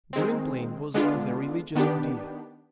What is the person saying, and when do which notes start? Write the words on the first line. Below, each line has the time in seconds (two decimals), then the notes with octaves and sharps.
Gwynplaine was the religion of Dea.
0.13 D#3 G#3 C4
0.94 D3 G#3 B3 D4 F4
1.75 D#3 B3 D4 G4